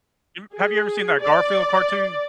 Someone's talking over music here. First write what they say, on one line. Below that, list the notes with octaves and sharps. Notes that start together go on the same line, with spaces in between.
You have ever seen that Garfield cartoon?
G#4
D5